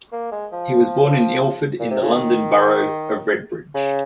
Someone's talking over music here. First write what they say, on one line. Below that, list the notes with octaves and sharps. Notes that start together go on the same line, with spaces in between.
He was born in Ilford in the London Borough of Redbridge.
A#3
G#3
F3
A#2
C3
C#3
D#3
C#3